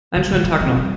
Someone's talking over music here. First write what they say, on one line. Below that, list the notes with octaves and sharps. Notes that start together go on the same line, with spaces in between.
Einen schönen Tag noch!
D#3
G#2 D#3
F4
F2
G3